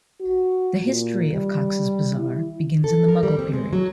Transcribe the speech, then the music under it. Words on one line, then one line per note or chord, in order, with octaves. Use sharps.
The history of Cox's Bazar begins in the Mughal period.
F#4
A#2
G3
E4
A4
A#4
G3
C4
G#3
F#3